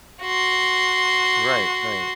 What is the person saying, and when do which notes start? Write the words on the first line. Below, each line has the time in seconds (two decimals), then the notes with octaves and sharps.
Right. Right.
0.22 F#4 C6